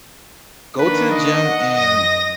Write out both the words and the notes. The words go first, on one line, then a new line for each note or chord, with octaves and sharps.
"Go to the gym and
D#3 A#3 D4 B4
D#5
F#5
F#2 D#6 A#6